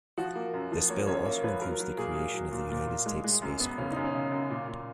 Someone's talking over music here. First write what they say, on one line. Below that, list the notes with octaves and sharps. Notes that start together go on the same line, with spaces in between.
This bill also includes the creation of the United States Space Corps.
F3 F#4
A#3
F#2
F3
A#3 C#5
F#2 C#5
A#3 C#5
F3 B4
F#3 A#4
F#3
A#2 G#4
A#3
F#3
A#2
A#2
A#2
G#3
G#3
F#2
B3
C#3 C#4
F#2 D#4
C#4
C#3
F#2
A#2
A#2